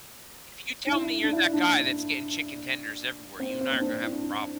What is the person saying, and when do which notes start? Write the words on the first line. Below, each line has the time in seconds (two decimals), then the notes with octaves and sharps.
If you tell me you're that guy that's getting chicken tenders everywhere, you and I are gonna have a problem.
0.87 D4
0.91 E4
1.24 D4
1.32 E4
1.53 D4
1.74 D4
3.40 C4
3.61 C4
3.73 C4
3.81 D4
4.02 E4
4.23 D4